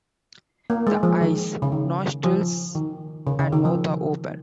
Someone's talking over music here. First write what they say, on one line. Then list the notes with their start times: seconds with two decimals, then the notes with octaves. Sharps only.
The eyes, nostrils and mouth are open.
0.70 A#3
0.87 G#3
1.03 F3
1.21 D#3
1.62 C#3
1.72 D#3
2.24 F3
2.75 D#3
3.27 C#3
3.39 C#3
3.52 D#3
3.65 F3